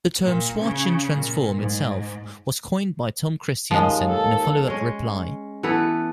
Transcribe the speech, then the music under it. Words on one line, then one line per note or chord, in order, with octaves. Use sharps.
The term "Schwartzian Transform" itself was coined by Tom Christiansen in a follow-up reply.
A#2
C#3
A#2
G#2
D#2 F3 G#3 A#3
A4
G#3 C#4
E3 B3 A4 B4